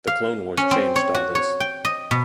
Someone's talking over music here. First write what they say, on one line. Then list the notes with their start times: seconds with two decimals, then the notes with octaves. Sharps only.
The Clone Wars changed all this.
0.07 F5
0.57 C#4
0.71 C4
0.96 C#5
1.15 F#4
1.35 C#5
1.60 G5
1.85 D#5
2.11 B2